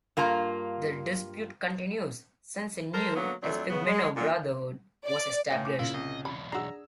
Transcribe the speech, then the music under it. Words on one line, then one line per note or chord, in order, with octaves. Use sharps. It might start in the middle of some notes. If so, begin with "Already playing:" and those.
The dispute continues since a new "Esphigmenou brotherhood", was established.
G2 A#3 F4 A#5
A4 A#4 C5
D3 F#3 A#3 B3
F2 F#3 A3 D4
C#3 B3
G#3
A#2 D3
D5
A2 B4 E5 F5 G5 G#5
D6
A#2 C#3 E4 F4
C2 D#5
B1 E2 B5
D4 F#4 G#4 A#5 E6